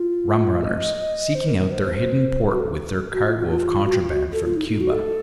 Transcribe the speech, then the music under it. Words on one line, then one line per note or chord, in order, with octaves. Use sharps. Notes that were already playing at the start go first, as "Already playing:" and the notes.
Rum-runners, seeking out their hidden port with their cargo of contraband from Cuba.
Already playing: F4
D#5
C5
A#4
A#4
C5
C5
C5
A4
F#4
A4
F#4
F4
F4
F4
F#4
F4
F#4
A4
F4
D#4
D#4
F#4
A4